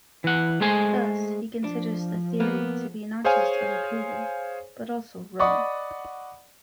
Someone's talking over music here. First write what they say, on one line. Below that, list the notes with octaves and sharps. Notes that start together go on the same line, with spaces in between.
Thus, he considers the theory to be not just unproven but also wrong.
E3 F#5
G#3 A3 G#4 C5 G#5
F3 D4
A#3 B3
G#4 C5 C#5 F5 G#5
D5 D#5 F#5 B5 C#6 D#6